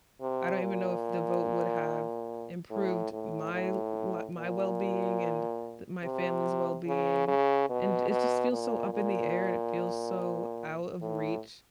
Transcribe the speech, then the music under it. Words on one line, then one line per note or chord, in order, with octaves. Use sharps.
I don't even know if the vote would have improved my l my wellbeing and the my family's wellbeing. And it just feels so up in the air, it feels so out of reach,
C3
A#2
A2
A2
A2
A#2
C3
C#3
C#3
B2
B2
A#2
A#2
A2